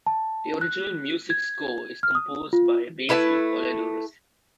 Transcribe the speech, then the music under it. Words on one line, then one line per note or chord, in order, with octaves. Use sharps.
The original music score is composed by Basil Poledouris.
A5
F#6
G#6
F6
D#6
F4
A3 E4 B4 A5